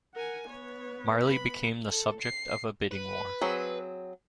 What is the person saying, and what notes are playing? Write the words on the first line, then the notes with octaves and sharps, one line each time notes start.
Marley became the subject of a bidding war.
A#4 F#5 G#5
B3 B4 C#5
B5
A4
C7
B4
F#3 C4 G#4